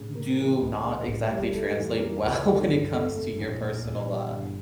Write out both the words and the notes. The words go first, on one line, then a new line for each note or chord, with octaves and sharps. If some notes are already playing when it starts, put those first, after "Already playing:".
do not exactly translate well when it comes to your personal, uh,
Already playing: A2 C#3
A#3
E3
C#2
C#3
A2 C#3
G3
F2
F2 A3
E3
A#3
C#2
D3
G1
F2 A3
A3
A#1
A#2
A#1 E2
G3
G1